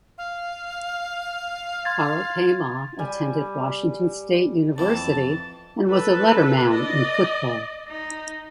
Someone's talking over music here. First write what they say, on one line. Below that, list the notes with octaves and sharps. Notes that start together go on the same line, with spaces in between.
Karl Paymah attended Washington State University and was a letterman in football.
F5
C6 G#6 A6
G3 G#5
F2 E3 A5
A4 B4
D5 D#5
D#4